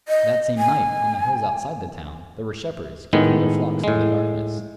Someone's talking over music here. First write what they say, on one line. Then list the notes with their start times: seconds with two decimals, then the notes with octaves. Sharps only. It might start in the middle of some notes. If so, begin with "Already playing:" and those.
That same night, on the hills outside the town, there were shepherds, keeping their flocks through the darkness.
0.08 D#5
0.58 G#5
3.13 A2 D#3 G#3 B3
3.84 A2 G#3